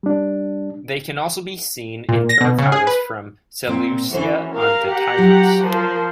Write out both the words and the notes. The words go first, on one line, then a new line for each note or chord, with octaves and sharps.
They can also be seen in terracottas from Seleucia on the Tigris.
G3 D4
A#2
A#6
B2
C#3
G#4
B4
A#2 C4
E3 C#4 F#4 A4 C5
A#4 F5
G4 F#5 A#5
F#3 F4
F3 A#4 C5